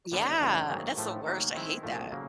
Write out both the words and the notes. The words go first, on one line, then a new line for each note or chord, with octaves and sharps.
Yeah. That's the worst, I hate that.
D#2 D3 G3 B3
F#2 C#3 E3 A3 D4
G#2 D#3 F#3 A#3
A2 F3 A3
D#3 F#3 A#3 D#4
D#3 G#3 C4 E4
C2 A#2 F3 A3
C#3 F#3 A#3